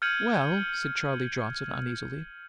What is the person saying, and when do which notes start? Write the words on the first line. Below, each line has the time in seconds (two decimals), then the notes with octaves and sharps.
"Well--" said Charlie Johnson uneasily.
0.02 F6 G6 G#6 C#7 D#7 F#7